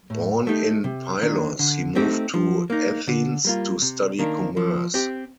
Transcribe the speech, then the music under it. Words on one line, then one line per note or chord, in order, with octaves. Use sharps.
Born in Pylos, he moved to Athens to study commerce.
A2
A3 D#4 G4
C3
D#3 A#3 D4
D3
A3 C4 D#4 G4
F3
A#3 D#4
D3
G3 A#3 F4
C3
D#3 A#3 D4
F3
C4 G4